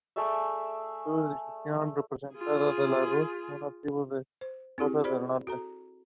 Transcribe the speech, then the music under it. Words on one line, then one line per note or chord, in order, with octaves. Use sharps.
It is recorded between Lisbon and Madeira.
A3 G#4 D5 E5
F4 G#4
C5
C4 E4 G4 G#4
F#4 G#4 C5 D5 B5
F#4 A4 A#5